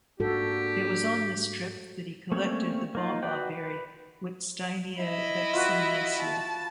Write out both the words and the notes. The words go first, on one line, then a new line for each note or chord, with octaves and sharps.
It was on this trip that he collected the Baw Baw Berry, "Wittsteinia vacciniacea".
G#2 A#3 D4 F#4 G4 A4
A3 A#3 C4 C#4 C#5
A#3 D#4 F4
F#4 B4 D5 F#5 G5
B4
E4 D#5
F4 F#4 B4
A5